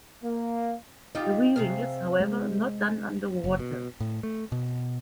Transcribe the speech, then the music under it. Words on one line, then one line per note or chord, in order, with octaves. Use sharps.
The weaving is, however, not done under water.
A#3
D#4 F4 G4 D#5
C3 G#4 F5
G#3
F#1
B2
A2
A3
B2